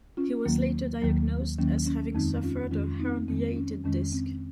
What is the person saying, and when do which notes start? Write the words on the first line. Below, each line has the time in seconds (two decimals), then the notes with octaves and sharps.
He was later diagnosed as having suffered a herniated disc.
0.17 C#4 F4
0.45 D#2 D#3 F#3 A#3
1.02 D#2 D#3 F#3 A#3
1.58 D#2 D#3 F#3 A#3 C#4
1.86 C#4
2.15 F2 D#3 G#3 C4 D#4
2.43 C#4 F4
2.71 F2 D#3 G#3 C#4 F4
3.00 C4 D#4
3.28 F2 D#3 G#3 C4
3.56 C#4
3.84 F2 D#3 G#3 C#4
4.13 C4